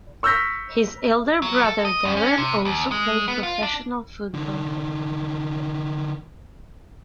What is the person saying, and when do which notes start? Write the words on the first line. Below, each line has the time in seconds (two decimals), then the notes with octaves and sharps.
His elder brother Darren also played professional football.
0.23 C#6 E6 F6 G6 A#6 B6
1.42 F#3
1.64 A4
1.85 D#5
2.05 F#2
2.17 C#4
2.38 C3
2.65 D#2
2.91 G#3
3.28 B3
3.43 F4
3.63 D4
4.34 D3 D#3